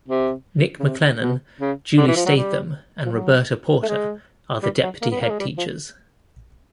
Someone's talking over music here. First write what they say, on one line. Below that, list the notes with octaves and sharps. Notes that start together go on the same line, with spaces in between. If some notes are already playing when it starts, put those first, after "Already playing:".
Nick McClellan, Julie Statham and Roberta Porter are the deputy head teachers.
C3
C#3
C3
B2
C#3
D3
E3
F3
F#3
G3
F3
F#3
A3
G#3
G3
F#3
A#3
B3
A#3
G#3
G3
F3